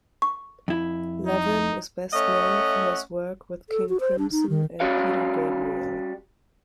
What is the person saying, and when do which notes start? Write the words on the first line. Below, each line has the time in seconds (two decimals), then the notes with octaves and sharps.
Levin is best known for his work with King Crimson and Peter Gabriel.
0.22 C#6
0.68 F2 E4
1.27 D#4
2.13 A3 C#4 D#5 E5 F#5
3.70 A4
3.89 F#4
4.00 C5
4.19 D4
4.31 D#4
4.49 D#3
4.80 G3 C#4 F#4 C#5 F5